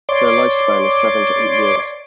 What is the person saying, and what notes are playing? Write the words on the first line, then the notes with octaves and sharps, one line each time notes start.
Their lifespan is seven to eight years.
C#5 D5 C6 D6